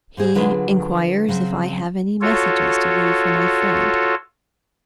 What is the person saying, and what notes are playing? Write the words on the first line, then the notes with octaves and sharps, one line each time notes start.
He inquires if I have any messages to leave for my friend.
G#2 G#3 G#4 C5
D3 F#3 D4 F4 G#4 B4
C#3 F#3 C4 C#4
F4 F#4 A4 C#5